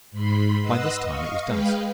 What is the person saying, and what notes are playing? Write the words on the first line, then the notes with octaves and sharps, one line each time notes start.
By this time it was dusk.
G#2 B5 C6
B4 D#5 F#5 C6 E6
D#5 F5 C#6
G#3 B4 F5 G5